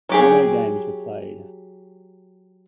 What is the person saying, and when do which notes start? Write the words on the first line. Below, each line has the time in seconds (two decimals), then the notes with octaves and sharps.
No games were played.
0.09 F#3 G4 G#4